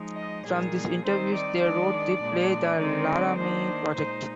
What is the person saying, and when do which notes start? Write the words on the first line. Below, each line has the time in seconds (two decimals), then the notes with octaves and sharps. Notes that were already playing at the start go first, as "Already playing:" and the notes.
From these interviews they wrote the play "The Laramie Project".
Already playing: F3 G#3 D#4
0.16 D#5
0.46 A#2 G3 A#3 D#4 G#4
1.04 D#3 G3 C4 D#4 C5
1.33 D5
1.61 D#3 G#3 D4 D5
2.20 A#2 G#3 D4
2.78 D3 G#3 C4 D#4 D5
3.37 D#3 A#3 D4 C5
3.95 A#2 G#3 D#4 C5